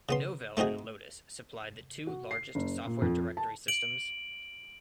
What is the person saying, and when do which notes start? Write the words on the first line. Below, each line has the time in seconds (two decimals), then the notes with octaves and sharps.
Novell and Lotus supplied the two largest software directory systems.
0.09 C#3 B3 C6
0.57 A3 C4 D#4 F#4 G#4
2.07 F#4
2.31 C7
2.55 F#1
2.85 A#2
3.01 F2
3.37 A5
3.68 D7 F#7